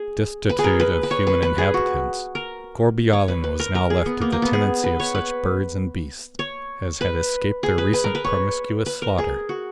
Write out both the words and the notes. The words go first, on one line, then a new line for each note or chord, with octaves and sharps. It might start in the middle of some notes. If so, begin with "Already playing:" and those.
Destitute of human inhabitants, Gourbi Island was now left to the tenancy of such birds and beasts as had escaped the recent promiscuous slaughter.
Already playing: G#4
B4
G#4
A#4
B4
B4
C#5
B4
B4
G#4
F#4
A#4
C#5
B4
B4
A#4
A#4
G#4
B3
A#3
A#3
B3
G#4
B4
C#5
B4
C#5
B4
G#4
B4
B4
A#4
B4
C#5
B4
A#4
G#4
F#4